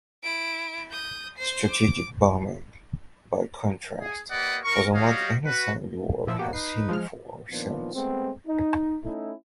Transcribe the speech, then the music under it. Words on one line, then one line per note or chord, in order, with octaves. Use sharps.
Strategic bombing, by contrast, was unlike anything the world has seen before or since.
E4 D7
D#6 G6
C5 C7
D6
G#4
A#3 G4 B4 D5 D#5 F#5
A#4 C#6
G3 F#4 G4 C#5 D#5 F5
F#4 B4
A#2 F3 E4 E5
A#3 B3 F#4 G4
D#4 B4 C7
F3 G#3 F6
A#2 D#3 F3 B3 D4 F4
G#3 A3 B3 C4
D#4
A3 C#4 D#4 E4